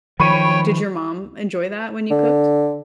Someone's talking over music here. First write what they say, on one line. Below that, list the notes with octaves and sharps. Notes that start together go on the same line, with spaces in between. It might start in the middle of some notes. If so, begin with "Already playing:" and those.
Right. Did your mom enjoy that when you cooked?
D#3 F3 C#5 G5 B5 C#6 D#7
D3